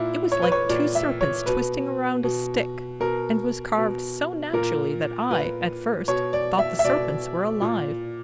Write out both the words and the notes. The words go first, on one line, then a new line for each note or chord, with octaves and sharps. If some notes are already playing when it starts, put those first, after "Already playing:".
"It was like two serpents twisting around a stick, and was carved so naturally that I, at first, thought the serpents were alive."
Already playing: A#2 E4
C#5
B4
C#5
A#2 D5
E5
C#5
B2 B4
B2
B2 A#4
B2
A#2 A#4
A#2 B4
B2 C#5
D5
E5
E5
B2 D5
A#2